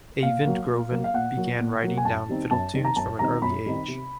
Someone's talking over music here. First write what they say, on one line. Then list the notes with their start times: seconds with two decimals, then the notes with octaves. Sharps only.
Eivind Groven began writing down fiddle tunes from an early age.
0.23 A#2 F5
0.46 F#3 A#3
0.69 A#2
0.91 F#3 A#3
1.04 F5
1.14 A#2 F#5
1.37 F#3 A#3
1.60 A#2
1.83 F#3 A#3
1.97 G#5
2.05 F#2 A5
2.28 D#3 G3 C4 D#4
2.51 F#2 A5
2.74 D#3 G3 C4 D#4
2.85 A#5
2.96 F#2 A5
3.19 D#3 G3 C4 D#4 A#5
3.42 F#2 B5
3.65 D#3 G3 C4 D#4
3.88 C3